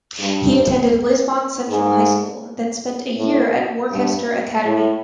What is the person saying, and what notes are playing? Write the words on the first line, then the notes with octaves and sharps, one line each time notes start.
He attended Lisbon Central High School, then spent a year at Worcester Academy.
G2
G#2
A2
G2
A2